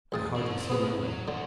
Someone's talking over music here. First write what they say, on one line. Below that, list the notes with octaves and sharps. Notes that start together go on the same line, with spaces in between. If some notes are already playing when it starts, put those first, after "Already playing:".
I hardly see my way.
A1 G#4 A5
C4 E4
B3 G#4 B4
F#3
D3 D4 F#4